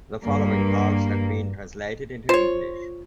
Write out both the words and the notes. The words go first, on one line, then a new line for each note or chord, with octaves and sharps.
The following parts have been translated into English.
G2 A#3
F4 C5 C#5